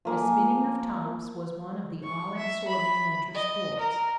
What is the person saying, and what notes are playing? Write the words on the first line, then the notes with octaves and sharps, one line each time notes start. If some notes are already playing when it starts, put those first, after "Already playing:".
The spinning of tops was one of the all-absorbing winter sports.
F3 A#3 G#5
C#6
E5
B5
D#5
A#4